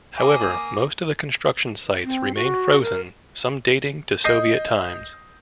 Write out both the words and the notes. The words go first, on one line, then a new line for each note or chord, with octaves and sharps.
However, most of the construction sites remain frozen, some dating to Soviet times.
A#3 G#5 D6 D#6
C4
F#4
A#4
D#5 D#6 G6 A#6 C7